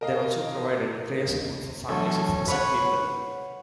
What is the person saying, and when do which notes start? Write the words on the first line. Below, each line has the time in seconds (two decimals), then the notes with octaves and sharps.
They also provided prayer support for families of missing people.
0.01 A#4 D#5 F5
1.89 D2 E3 F#3 A4 C#5
2.48 B4 C#5 F#5